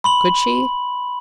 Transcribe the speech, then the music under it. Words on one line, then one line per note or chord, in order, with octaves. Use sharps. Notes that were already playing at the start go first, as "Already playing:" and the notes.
Could she?
B5 C6 F#7